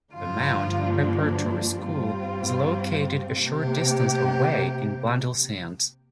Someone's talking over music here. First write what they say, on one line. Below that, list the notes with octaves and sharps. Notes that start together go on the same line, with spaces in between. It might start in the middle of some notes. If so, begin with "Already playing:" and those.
"The Mount" preparatory school is located a short distance away in Blundellsands.
G2 D3 F3 A#3 F4
D4
G2 G3 C4 F4
C3 A#3 G4